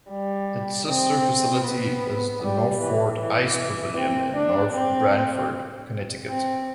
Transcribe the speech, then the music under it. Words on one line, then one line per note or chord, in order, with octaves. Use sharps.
Its sister facility is the Northford Ice Pavilion in North Branford, Connecticut.
G3
C4
B3
G3
E3
E3
C4
D4
C4
C4